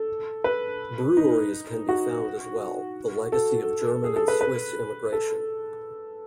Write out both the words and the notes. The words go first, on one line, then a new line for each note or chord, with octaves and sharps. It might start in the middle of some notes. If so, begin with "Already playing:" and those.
Breweries can be found as well, the legacy of German and Swiss immigration.
Already playing: A4
B4
D#4
F#4
A4
G#4
A4
B4
B4
A4